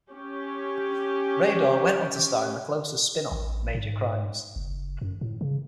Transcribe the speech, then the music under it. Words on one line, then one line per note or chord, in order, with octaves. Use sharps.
Raydor went on to star in "The Closer"s spin-off, "Major Crimes".
C#4 G4
A1
G#2
F#1
F#2
A2
C#3